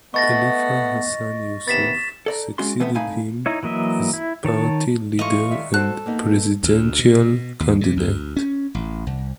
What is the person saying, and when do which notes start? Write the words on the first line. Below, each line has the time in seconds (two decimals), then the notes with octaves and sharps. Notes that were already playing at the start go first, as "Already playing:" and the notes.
Khalifa Hassan Yusuf succeeded him as party leader and presidential candidate.
0.14 A3 B3 D#5 C#6 A6 A#6
1.68 D#2 C3 B3 A6 B6 E7
2.26 A4 D5 A#5
2.58 G#3 C#4 F#4 C6
2.80 E3 A3 B3 C4 B4 E5
2.94 C2 A3 D#4 F5 G#5 B5
3.46 D#4 E4 C#5
3.63 E3 F#3 A#3 D#5 E5
4.13 E4
4.45 D#3 C#5 A5
5.19 E3 A3 F4 D#5 C#6
5.51 D#3 G3 E5
5.74 F#4 A4 C5 F#6
6.06 A#3 B3 D#4
6.63 D2
6.99 B2
7.60 D#2
7.81 C3
7.97 D2
8.36 C#4
8.75 A1
9.07 C2